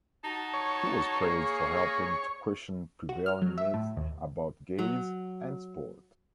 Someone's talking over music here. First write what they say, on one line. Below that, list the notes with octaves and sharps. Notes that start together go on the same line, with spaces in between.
He was praised for helping to question prevailing myths about gays and sport.
D#4 F#4 A5
C#5
A#3 G#4
F#4
F6
F#3
E5
A2
D#2
F#3